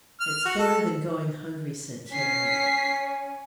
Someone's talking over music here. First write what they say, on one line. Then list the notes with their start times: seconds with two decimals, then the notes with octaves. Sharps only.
"It's better than going hungry," said Carrie.
0.20 F6
0.45 F#4
0.59 A4
2.10 C#4 C#5 G#5 B6 C7